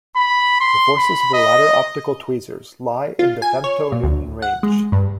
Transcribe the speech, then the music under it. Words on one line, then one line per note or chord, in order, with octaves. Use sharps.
The forces of the latter optical tweezers lie in the femtonewton range.
B5
C6
B5
D#5
F4
G#5
C#5
A#2
D2
F#5
G#3
G2